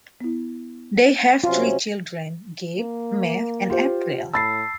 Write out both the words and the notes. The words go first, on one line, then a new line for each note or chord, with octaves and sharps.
They have three children: Gabe, Matt, and April.
B3 E4
C3 F#3 C#4 F4
A#3
F4 G4 C5
A2 A5 B5 E6 A6 C7